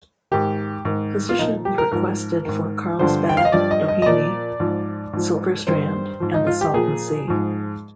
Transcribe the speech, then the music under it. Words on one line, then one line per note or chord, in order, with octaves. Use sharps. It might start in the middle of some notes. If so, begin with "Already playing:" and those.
Positions requested for Carlsbad, Doheny, Silver Strand and the Salton Sea.
G#2 D#3 G4
G#2 D#3
F4
A#2 F3 D#4
G4
A#4
G#2 F3 A#4
G#2 D#3
G2 D3 F3 C5
G5
F5
D#5
G2 F3 D5
D#5
D#5
D#5
A#2 F3 D5
G#2 F3
G#2 F3
G2 D#3 C5
G#2 F3
D#4
F4
G4
A#2 F3 G#4
G#2 F3